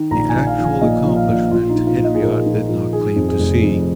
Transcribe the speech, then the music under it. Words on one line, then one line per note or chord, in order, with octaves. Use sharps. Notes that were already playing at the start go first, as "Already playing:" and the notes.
The actual accomplishment Henriot did not claim to see.
Already playing: D#3
A#1 A#5
G#5
A#1
F5
F3
G#5
A#2 D#5
F3
F5
A#1
A#1 F4
D#4
F3
F4
A#1 D#5
G#4
A#1 A#4
F3
F3
D#3 G#4
F2
G#4
F1
F2